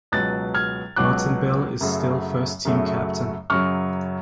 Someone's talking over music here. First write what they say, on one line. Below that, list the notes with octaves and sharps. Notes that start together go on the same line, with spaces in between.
Martin Bell is still first team captain.
C#2 B2 F#3 F#6 A6
F6 G#6
C#2 B2 F#3 D6 F#6
F#2 C#3 F#3 A3
F#2 C#3 F#3 A3
F#2 C#3 F#3 C#6 F6